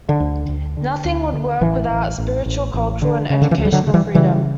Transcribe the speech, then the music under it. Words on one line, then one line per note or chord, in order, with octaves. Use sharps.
Nothing would work without spiritual, cultural, and educational freedom.
D3
D2
D2
D3
D2
D3
A1 E3
A1
A1
A1
A1
D3
C#3
D3
E3
D2
G3
D3 F#3
C#3
E3 G3
C#3 E3 G3